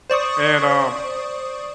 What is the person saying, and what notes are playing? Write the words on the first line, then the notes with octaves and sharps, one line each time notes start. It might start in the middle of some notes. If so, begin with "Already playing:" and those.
and, um,
C5 D5 C#6 D#6